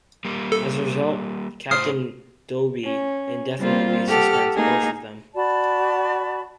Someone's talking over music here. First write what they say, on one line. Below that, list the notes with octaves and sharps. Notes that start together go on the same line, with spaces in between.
As a result, Captain Doby indefinitely suspends both of them.
G3 A#3
A4
A2 C5 D#6 F6 C7
C#4
G3 A#3 C4 F4
G4 A4 F#5 F6
A#3 D#4 G#4
F#4 D5 A5 B5